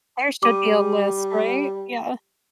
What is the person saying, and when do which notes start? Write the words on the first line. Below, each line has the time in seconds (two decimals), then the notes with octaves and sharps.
There should be a list, right? Yeah.
0.43 G3 D6 D#7